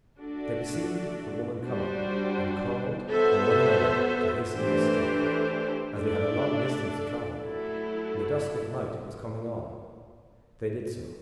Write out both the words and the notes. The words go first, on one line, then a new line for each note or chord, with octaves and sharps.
They perceived the woman coming, and called on one another to hasten their step as they had a long distance to travel, and the dusk of night was coming on. They did so.
A3 D4 F#4
G3 D4 F#4 C5
B3 F#4 A4 C5 E5
E3 A3 D4 G4 C5
A3 D4 A4 D5
F#3 A3 E4 A4